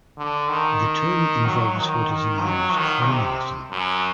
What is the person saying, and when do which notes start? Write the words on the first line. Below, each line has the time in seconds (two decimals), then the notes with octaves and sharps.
The term involves what is known as cronyism.
0.18 D3
0.49 D#3
1.46 F#3
1.78 D#3
2.10 D#3
2.42 F#3
2.74 D#3
3.06 C3
3.71 F#2